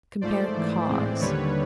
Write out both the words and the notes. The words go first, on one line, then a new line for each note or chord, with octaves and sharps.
Compare CAUSE.
G#2 F3 A3 C5 D5
G#2 E3 A3
A2 E3 G#3 C4
D#2 D3 G3 B4 C#5